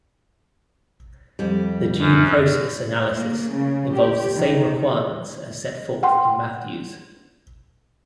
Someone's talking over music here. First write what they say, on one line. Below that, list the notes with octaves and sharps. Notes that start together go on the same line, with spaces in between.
The due process analysis involves the same requirements as set forth in Matthews.
F2 G3
F#2
A#3
C#3
G4
D#3
F#5 G5 C6